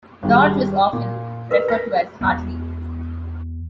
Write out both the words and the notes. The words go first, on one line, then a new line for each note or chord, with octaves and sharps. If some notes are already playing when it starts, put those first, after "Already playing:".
Dodge was often referred to as Hartley.
G#1 G3 G#4
A#2
A#4 B4
A#6 B6
E2 G#3 B3